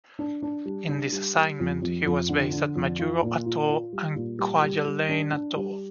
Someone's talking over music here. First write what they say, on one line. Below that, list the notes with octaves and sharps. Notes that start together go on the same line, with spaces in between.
In this assignment he was based at Majuro Atoll and Kwajalein Atoll.
D4
D4
G3
D4
G3
G3
F2
F2
F2
D3
D3
F2
F4
A#2
F4
F4
G3
A#2
G3
G3
G3
D4
D4
G3